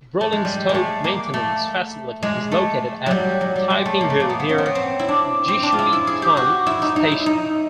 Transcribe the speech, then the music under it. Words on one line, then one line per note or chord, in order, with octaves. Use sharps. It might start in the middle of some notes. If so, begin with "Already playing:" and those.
The rolling stock maintenance facility is located at Taipinghu, near Jishuitan station.
A3
G#3
G3
G#3
A3
A#3
A3
G#3
A3
F#3 G3
F#3
G3
G#3
A3
A#3
A3
A#3
B3
B3
C#4
C4
B3
C4
E4
D4
C4
D4
F4
E4
E4
G#4
G4
F#4
E4
D#4
D#4
E4
D#4